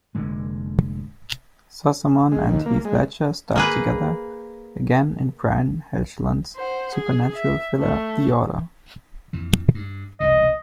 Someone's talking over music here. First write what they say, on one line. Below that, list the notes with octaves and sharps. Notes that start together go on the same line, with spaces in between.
Sossamon and Heath Ledger starred together again in Brian Helgeland's supernatural thriller "The Order".
F1 A#2 D3 G#3
G#3
D#2
A#3
G#3
A#3 G#4 B4
C5 F#5
G#4
E5
A3
F2 A#2 E3
G2
E1 C2 C3 D#5